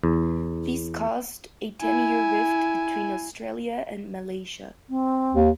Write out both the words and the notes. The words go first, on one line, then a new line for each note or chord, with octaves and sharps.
This caused a ten-year rift between Australia and Malaysia.
E2
E4 G#5
C4
D#2